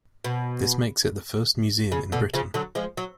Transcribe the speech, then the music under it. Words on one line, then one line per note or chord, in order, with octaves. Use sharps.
This makes it the first museum in Britain.
B2
C#3
B2 D3
C#3 F3
D3 F#3
F3 G#3
F#3